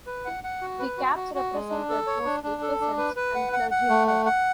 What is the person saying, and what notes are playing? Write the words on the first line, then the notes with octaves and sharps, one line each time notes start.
The Caps represented mostly peasants and clergymen.
B4
F#5
F#5
F#4
B4
F#4
F#4
F#4
G#3
D4
A4
C#5
D4
D4
A4
D4
B4
B4
F#5
F#5
F#5
A3
F#5
F#5